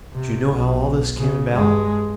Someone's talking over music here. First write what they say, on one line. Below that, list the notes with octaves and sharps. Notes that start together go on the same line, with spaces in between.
Do you know how all this came about?
C3
B1
C#3
G2 G#3